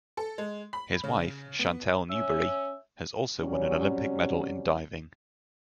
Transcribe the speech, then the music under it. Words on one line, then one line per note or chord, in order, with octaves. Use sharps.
His wife, Chantelle Newbery, has also won an Olympic medal in diving.
A4
G#3
B5
C#3
B3
C#4 E5
C3 F#3 G3 C4 C#4